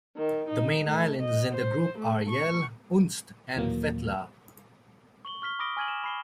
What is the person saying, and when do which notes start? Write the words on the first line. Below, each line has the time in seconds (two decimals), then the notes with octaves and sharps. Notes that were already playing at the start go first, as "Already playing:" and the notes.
The main islands in the group are Yell, Unst and Fetlar.
0.17 D#3
0.49 D#4
0.86 A3
1.21 D#5
1.54 C5
1.99 A3
2.29 C#6
3.57 D#2 A#2 E3 F#3 A#3
5.25 C#6 F#7 G7
5.42 C#6 F6 B6 G7
5.59 B5 D6 D#6 A#6 D7 G7
5.77 G#5 F6 G#6 D#7 F#7
5.88 E7
6.04 B5 C7 G7